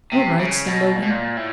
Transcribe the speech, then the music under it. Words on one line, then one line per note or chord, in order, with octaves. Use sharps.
"All right," said Logan.
C3
C#3
B2
A#2
B2
A#2
A2